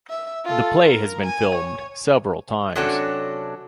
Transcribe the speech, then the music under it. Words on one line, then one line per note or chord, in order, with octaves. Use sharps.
The play has been filmed several times.
E5
F4 A4
A#4
G#5
C#5
C3 F#3 C#4 D4 F#4 A4